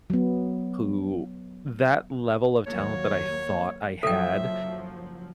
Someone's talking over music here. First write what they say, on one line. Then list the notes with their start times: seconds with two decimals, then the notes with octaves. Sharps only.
who that level of talent that I thought I had
0.10 F#3 B3
2.66 D#2 F#3 A#3 C#5
4.03 F#1 F3 F#3 A4 E5 G5